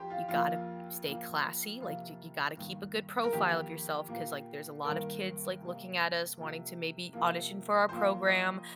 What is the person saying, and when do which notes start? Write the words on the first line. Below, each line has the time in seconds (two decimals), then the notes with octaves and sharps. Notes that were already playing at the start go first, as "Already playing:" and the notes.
you gotta stay classy," like, "you you gotta keep a good profile of yourself 'cause," like, "there's a lot of kids," like, "looking at us wanting to maybe audition for our program,
Already playing: F2 F3 G4 C5
0.10 F4
0.28 F2 F3 A#3 F4
1.04 F2 F3 A#3
1.80 F2 C3 F3 A#3 F4
2.57 G2 D#3 A#3
3.24 A#4
3.33 F2 D#3 A#3 G4
4.09 A#2 A#3
4.84 G2 D#3 A#3 A#4
5.61 C3 G3 A#3
6.37 C3 F3 A#3
7.13 C3 F3 A#3
7.89 F2 F3 A#3 C5
8.27 D#5